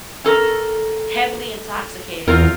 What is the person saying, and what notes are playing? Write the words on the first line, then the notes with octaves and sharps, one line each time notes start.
heavily intoxicated,
C#4 A4 A#4
E2 C4 F4 A#4